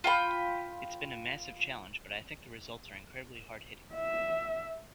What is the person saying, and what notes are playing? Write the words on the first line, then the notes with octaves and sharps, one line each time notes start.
It's been a massive challenge but I think the results are incredibly hard-hitting.
F4 G5 B5
E5